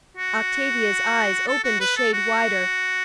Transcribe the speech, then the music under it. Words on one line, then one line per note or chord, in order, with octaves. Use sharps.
Octavia's eyes opened a shade wider.
F#4
A4
F#4
B4
A4
F#4